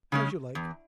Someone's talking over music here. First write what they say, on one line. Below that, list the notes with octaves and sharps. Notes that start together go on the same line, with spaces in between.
'As you like....
C#3 G#3 C#4
E2